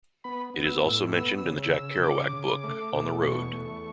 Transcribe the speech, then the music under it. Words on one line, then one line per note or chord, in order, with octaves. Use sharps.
It is also mentioned in the Jack Kerouac book "On the Road".
B3 B5
B3
E6
A2 E6
B3 E6
E6
C#3
E6
C#3
C#3 D6
C#3
A3
B2
E2 C#6
A3